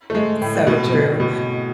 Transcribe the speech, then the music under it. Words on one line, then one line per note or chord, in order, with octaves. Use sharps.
So true.
A3
G#3
A2
B2
B2
B2